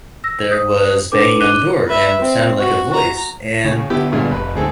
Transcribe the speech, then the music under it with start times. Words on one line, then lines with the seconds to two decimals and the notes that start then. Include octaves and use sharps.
there was banging on the door and it sounded like a voice, and
0.24 E6 A#6
0.50 C5 D#6
1.12 D4 A4 B4 D6
1.40 D4 D6 F#6 D#7 G7
1.88 B4 E5
2.21 C4
2.59 F#4
2.94 A#5
3.65 A2 C#3
3.90 D3 B3 E4 G4
4.12 G2 A#2 G#3
4.31 F1 B4
4.55 D2 G#2 C4 G#4 A4